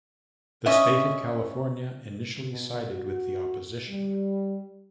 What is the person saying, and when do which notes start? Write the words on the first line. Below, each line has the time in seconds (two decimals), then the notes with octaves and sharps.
The state of California initially sided with the opposition.
0.66 C#4 D#5 E5
2.50 B2
2.92 F#4
3.89 G3